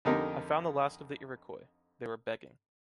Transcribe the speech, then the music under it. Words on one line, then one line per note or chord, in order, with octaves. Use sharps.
I found the last of the Iroquois. They were begging.
F2 D3 D#4 G4 A#4